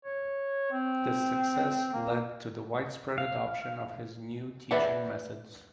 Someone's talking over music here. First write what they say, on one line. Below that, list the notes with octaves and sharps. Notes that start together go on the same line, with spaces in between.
This success led to the widespread adoption of his new teaching methods.
C#5
C4
A#3
F5
B4 D5 E5 F#5